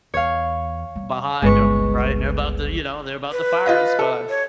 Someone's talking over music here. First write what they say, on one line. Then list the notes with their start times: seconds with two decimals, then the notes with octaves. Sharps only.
behind him, right, and they're about to, you know, they're about to fire squad,
0.14 E2 C#5 F5
0.96 G3
1.42 G1 C#2 G#3 B4 C#6
3.32 B4
3.66 F4 D#5 F5
3.99 A4
4.29 C#5